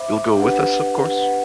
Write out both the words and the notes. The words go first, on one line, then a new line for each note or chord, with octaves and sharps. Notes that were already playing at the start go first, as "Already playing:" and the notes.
You'll go with us, of course?
Already playing: C5 E5 B5 D6
D4 G4 B4 F#5
D4 G4 B4 F#5